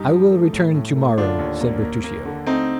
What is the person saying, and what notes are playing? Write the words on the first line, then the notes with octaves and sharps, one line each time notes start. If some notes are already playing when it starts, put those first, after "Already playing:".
"I will return to-morrow," said Bertuccio.
Already playing: G2 D#4 G4
F3
A3
A2
A2
A3
D3 D4 F4
D#2
A#3
A#3
A#3
D3
A3 C4 D#4